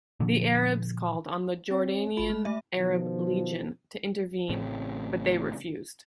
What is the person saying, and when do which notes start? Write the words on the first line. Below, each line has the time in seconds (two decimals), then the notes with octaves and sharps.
The Arabs called on the Jordanian Arab Legion to intervene but they refused.
0.20 A#2 D3 F3
1.71 C4 C#5
2.17 G#1 F4 B5
2.30 G#3
2.45 A3 E5
2.76 B2 D#3 F3
4.49 A1 A2 C#3 C4